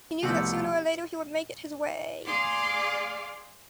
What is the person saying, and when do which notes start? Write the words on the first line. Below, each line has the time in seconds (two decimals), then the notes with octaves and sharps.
He knew that sooner or later he would make it his way.
0.22 C2 B2 F3 A3 F#4 G4
2.25 G#4 D5 F5 C6 D6